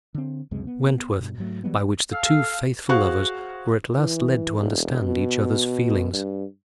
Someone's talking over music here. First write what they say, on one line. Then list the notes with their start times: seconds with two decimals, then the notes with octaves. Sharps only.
Wentworth, by which the two faithful lovers were at last led to understand each other's feelings.
0.14 D3 C4
0.51 C#2 F#2 C3 G#3
0.67 B3
1.20 G2 B2
1.38 G#2 F#3 A3
1.64 E3 F#3 G3 B3
2.12 A4 F5
2.89 F#4 G#4 C5 F5 C#6 F#6
3.98 E3
4.58 E1
5.02 B2
6.13 G2